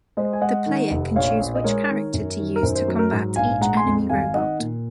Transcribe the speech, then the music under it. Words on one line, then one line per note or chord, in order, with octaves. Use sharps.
The player can choose which character to use to combat each enemy robot.
G#3 C5 D#5
G#5
G#3 D#5 F#5
D#3
F1
A#1 C#5 F5
A#1
D#5
G#3 A#4 C#5
D#3
F#2
D#3
A#4
F#2 C5
C5
F#3
A#4
G#2
A#1 F5 G#5
G#3 F#5 A#5
G#5 C6
F2
G#1 F5 G#5
D#3 D#5 F#5
A#2